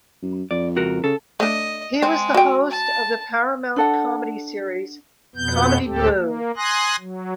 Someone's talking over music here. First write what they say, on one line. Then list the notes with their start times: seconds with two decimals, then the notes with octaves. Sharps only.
He was the host of the Paramount comedy series "Comedy Blue".
0.23 F#2
0.51 F2 D5
0.76 C#2 F#4 A#4
1.04 C#3 A4
1.40 A3 D4 D#5
2.02 G#3 C4
2.34 F#4 G5
2.71 A5
3.76 D4 A4 F#5
5.36 F2 B2 B3 G6
5.84 D2 A2 C4 G4 A4
6.17 A#3
6.56 G#5 C6 D#6 F#6 A#6
6.99 F#3